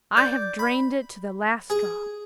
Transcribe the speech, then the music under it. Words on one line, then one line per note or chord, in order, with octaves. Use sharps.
I have drained it to the last drop.
D5 G6
B5
G#4